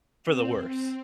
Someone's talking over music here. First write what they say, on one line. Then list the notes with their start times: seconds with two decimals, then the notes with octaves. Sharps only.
for the worse.
0.24 C4
0.65 C4